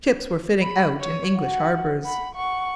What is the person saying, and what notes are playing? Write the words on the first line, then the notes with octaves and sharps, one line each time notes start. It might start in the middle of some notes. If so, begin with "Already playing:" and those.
Ships were fitting out in English harbours.
B5
C#5
F#4 F#5
F#5 B5
F#5 C#6